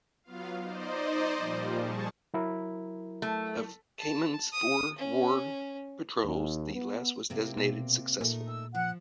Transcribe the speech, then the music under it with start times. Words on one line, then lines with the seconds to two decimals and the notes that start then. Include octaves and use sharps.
Of "Caiman"s four war patrols, the last was designated "successful".
0.24 F#3 B3 F4 F5
0.61 D#4 C5 D5 D#5
1.36 A#2 F3 G3
1.77 G#4 A5 C#6
2.34 F#3 E4 A#4
3.22 A3
3.99 A5
4.53 D#6
4.98 C#4
6.24 D#2
6.75 B3
7.30 C3 A#3 C4
7.57 B2
8.21 A#2 A3 D#4 A#4
8.48 E6
8.75 F3 F#5 F#6